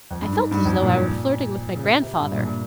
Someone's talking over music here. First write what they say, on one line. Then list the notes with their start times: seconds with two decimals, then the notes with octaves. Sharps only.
I felt as though I were flirting with my grandfather.
0.11 F2
0.22 G2
0.33 G#2
0.51 G2
0.65 F2
0.70 G2
0.82 A#2
0.95 A#2
1.76 C#3
1.83 C3
2.01 C3
2.20 G2
2.33 A#2
2.45 A#2